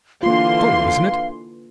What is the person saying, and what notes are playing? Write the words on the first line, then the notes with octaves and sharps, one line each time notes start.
"Cold, isn't it?"
D3 E3 A#3 F4 F5 C6